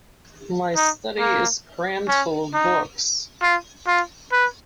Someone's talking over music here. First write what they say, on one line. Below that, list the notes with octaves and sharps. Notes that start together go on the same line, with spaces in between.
My study is crammed full of books.
D#4
A#3
C#4
D#4
F4
F4
B4